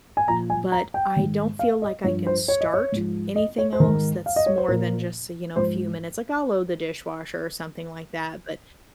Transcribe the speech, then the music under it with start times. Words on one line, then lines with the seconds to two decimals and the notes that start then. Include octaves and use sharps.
but I don't feel like I can start anything else that's more than just, uh, you know, a few minutes, like, I'll load the dishwasher or something like that, but,
0.17 G#5
0.28 A#2 F3 A#5
0.50 G#5
0.72 A#5
0.94 G5
1.16 G#2 D#3
1.59 F5
1.82 D#5
2.04 G2 F3 C#5
2.27 C5
2.48 C#5
2.61 D#5
2.74 C#5
2.92 G#2 F3
3.36 D#5
3.58 C#5
3.73 C5
3.80 G#2 D#3 A#4
4.26 F5
4.36 D#5
4.46 C#5
4.58 C5
4.68 A#2 F3 A#4
5.56 G#2 F3 C5